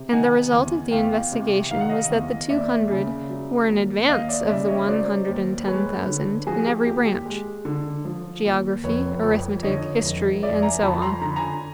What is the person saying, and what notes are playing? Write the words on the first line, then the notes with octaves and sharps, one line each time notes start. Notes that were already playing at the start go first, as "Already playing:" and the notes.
And the result of the investigation was that the two hundred were in advance of the one hundred and ten thousand in every branch--geography, arithmetic, history, and so on.
Already playing: C3
D#3 F#5 G#5
E2
E2 F5 G5
C3
D#3 F5
F#5
D#5 F5
E2
D#2 D5 E5
C#3
F#3
D#2
D#2 D#5 F5
D5 E5
C#3 D5 E5
C#5 D#5
F#3 C5 D5
D#2
G#3 B4 C#5
D3
F3 F#4 G#4
G4
D#2 G4
G4
G#3
D3
F3
D#2
F1 B4 C#5
F2
D3 C#5 D#5
F1
F1 D5 E5
G#5 A#5
F2 A5 B5
A#5 C6
D3 A#5
B5
G#5 A#5